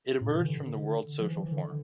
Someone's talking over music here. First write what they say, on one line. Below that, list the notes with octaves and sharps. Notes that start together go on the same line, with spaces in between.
It emerged from the World Social Forum.
A2
C3
E3
D3
F3
E3
F3
E3
D3